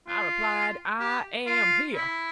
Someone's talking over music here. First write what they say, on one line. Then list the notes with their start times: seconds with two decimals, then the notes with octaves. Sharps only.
I replied, "I am here."
0.07 F4
1.00 G4
1.46 F4
1.93 E4